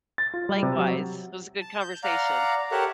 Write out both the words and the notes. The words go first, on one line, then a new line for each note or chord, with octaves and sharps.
Likewise. It was a good conversation.
A6
F4
G3
C3
F#3
A5
G6
D5 F5 F#5 A#5
G4 A4 A#4 C#5 E5 F#5